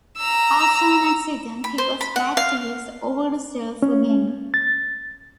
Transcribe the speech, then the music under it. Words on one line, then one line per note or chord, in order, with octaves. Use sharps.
After an accident, he was back to his old self again.
A#5 E6
B5
C5
B5
F#5
F5
C#4
A6